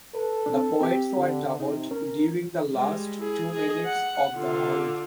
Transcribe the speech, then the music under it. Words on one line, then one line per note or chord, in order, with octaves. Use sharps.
The points were doubled during the last two minutes of the round.
A4 B4
C4 D4
C4 G4
D3
C3 D#4
C#4 A#4
G3 G#3
E4 G#4
G#4 D#5
F#5
D3 F4